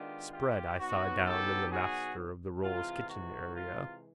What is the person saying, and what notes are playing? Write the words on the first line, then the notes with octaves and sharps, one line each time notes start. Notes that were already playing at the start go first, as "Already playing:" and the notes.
Spread I saw down in the Master of the Rolls' kitchen area.
Already playing: D#3 G#3 B3 D4 F4 G4
F4 G4
B2 F#3 B3 D#4 F#4
G4 A4
F#4 G#4
C3 E3 G#3 F4
F#4
F4